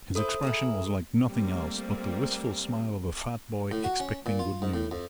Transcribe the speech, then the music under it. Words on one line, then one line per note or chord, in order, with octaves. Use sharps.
His expression was like nothing else but the wistful smile of a fat boy expecting good news.
E4 A4 C5 D#6
E4 G#4 A#4
G3 A3 A#3 C4
A2
F#4
C#4
A#2
F4
G#2
A2
F2